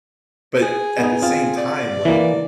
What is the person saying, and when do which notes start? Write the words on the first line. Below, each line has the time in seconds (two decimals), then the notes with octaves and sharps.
But at the same time, like,
0.62 G#4
0.99 B3 D#4
1.22 C4 F4
1.58 D5
2.05 E3 A#3